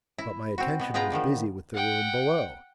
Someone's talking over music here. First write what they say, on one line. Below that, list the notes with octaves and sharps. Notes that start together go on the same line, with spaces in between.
But my attention was busy with the room below.
E4
C4 F#4
B2 B3
G#3 B3 F4 B4 G5 A#5
D3 D#3 F3
F#5 G5